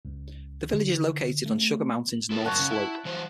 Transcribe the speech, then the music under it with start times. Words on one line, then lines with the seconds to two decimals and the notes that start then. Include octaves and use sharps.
The village is located on Sugar Mountain's north slope.
0.05 C#2
0.73 D3
1.46 A3
2.31 E4 A4 A#4
2.44 F#2 A#3 C#5 F#5 A5
2.59 C#3
2.71 E4
3.05 E3 F#3 C5